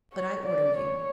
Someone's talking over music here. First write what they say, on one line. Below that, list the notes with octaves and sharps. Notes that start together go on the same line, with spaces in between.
But I order you.
C#5
D5
C#5